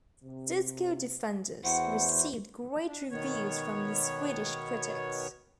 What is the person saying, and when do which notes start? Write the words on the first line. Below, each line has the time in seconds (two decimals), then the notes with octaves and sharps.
"Disco Defenders" received great reviews from the Swedish critics.
0.24 C3
1.64 E2 E4 F#4 C5 F#5
2.87 D4
3.11 B2 D#3 B3 C#5